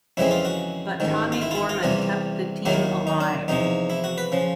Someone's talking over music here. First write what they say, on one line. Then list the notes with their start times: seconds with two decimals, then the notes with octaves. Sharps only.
But Tommy Gorman kept the team alive.
0.17 F2 C#3 E3 G#3 C4 E4
0.31 F4
0.45 F#4
1.00 A1 G#2 D#3
1.32 F4
1.42 E4
1.51 F4
1.55 E4
1.69 F4
1.83 E2 C3 E3 G3
2.65 D#2 D#3 F#3 A#3 E4
3.07 D#4
3.21 D4
3.48 E2 C3 F3 D#4
3.90 E4
4.04 F#4
4.18 B4
4.32 C#3 F3